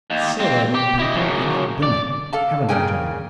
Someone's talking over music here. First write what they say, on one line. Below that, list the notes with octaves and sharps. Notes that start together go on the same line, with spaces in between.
"I said I'd eat paper, and I've done it; haven't I, gentlemen?"
D#2
F2 C4
G4
E4 D#5
F#2 C#3
D5
A4 F5 A5
A#2 C#3 A#3 G#4 G5 G#5